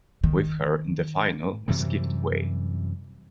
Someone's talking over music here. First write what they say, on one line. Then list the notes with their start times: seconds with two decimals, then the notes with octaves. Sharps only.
With her in the final was Gift Gwe.
0.24 D#3
1.68 F#2 C3 E3 G3